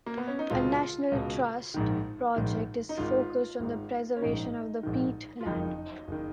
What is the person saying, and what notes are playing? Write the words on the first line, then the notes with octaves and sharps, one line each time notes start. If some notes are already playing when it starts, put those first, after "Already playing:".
A National Trust project is focused on the preservation of the peatland.
A#3
B3
C#4
D#4
C#2 B2 F4
C#2 B2
A#1 G#2 D#3
A#1 G#2 D#3
D#4
G#1 G#2 D#3 F4
G#1 G#2 D#3
C#4
A#1 G#2 D#3 D#4
A#1 G#2 D#3
F4
F#1 F2 D#3 D#4
F#1 D#3